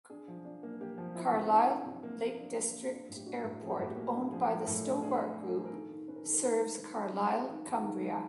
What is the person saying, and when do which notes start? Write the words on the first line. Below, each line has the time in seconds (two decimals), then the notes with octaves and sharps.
Carlisle Lake District Airport, owned by the Stobart Group, serves Carlisle, Cumbria.
0.10 D4 G#4
0.28 F3
0.45 D4
0.63 A#3
0.81 A#3 G4
0.98 F3
1.15 F3 E4
1.33 C3
1.50 D4 E4
1.68 D4
1.86 C3
2.03 A#3
2.21 A#3
2.38 D4
2.57 A#3
2.74 A#3
2.91 D4 F4
3.09 A2
3.16 G4
3.26 D4 F#4
3.44 A2
3.62 F3 G#4
3.70 G4
3.79 A2 F#4
3.88 G4
3.96 A#3
4.14 D4
4.31 F3 G#4
4.49 F3
4.60 A#4
4.67 A2 A4
4.85 D4
5.02 D4 G#4
5.20 D4
5.38 D4
5.55 F3
5.65 A#4
5.73 D#3 A4
5.90 D#3
6.08 C#4 B4
6.16 A#4
6.25 D#3 A4
6.34 A#4
6.43 D#3 B4
6.61 G#3
6.78 D#3 B4
6.96 C#4
7.13 C#4
7.31 C#4
7.49 D#3
7.67 D#2
7.84 D#3
8.01 G#3